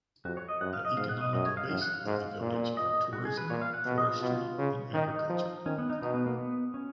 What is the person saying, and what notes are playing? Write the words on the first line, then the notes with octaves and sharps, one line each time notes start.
The economical base of the village are tourism, forestry and agriculture.
F2 F#4
C#5
D#5
F#2 F#5
F5
D#5
G#2 F5
F#5
D#5
F#2 D#5
C#5
F5
F#2 F5
F#5
F5
G#2
A#2
D#5
F#4
G#4
B4
A#2 C#5
F5
F#5
B2
D#5
F4
B2
C#3
D#3 D#4
F3
D#3 C#4
B3
D#4
B2 D#4
B3
A#3
B3
C#4